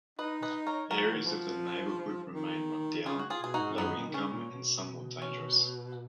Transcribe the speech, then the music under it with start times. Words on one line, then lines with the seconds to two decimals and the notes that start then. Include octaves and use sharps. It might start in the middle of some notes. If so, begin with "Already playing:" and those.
Areas of the neighborhood remained run-down, low-income, and somewhat dangerous.
0.19 D#4 B4 D#5
0.42 B4 D#5
0.67 A#4 C#5
0.91 F#3 F#4 A#4
1.02 F3
1.13 D#3
1.25 F3
2.34 D#3
3.06 C#3 F4 G#4
3.19 F#4
3.30 F4 G#4
3.42 B2 G#4
3.54 D#4 F#4
3.60 G#2
3.78 F#2 B3 D#4
3.96 A#2
4.08 D#3
4.14 C#3 C#4
4.32 A#2
4.51 B2
5.22 C#4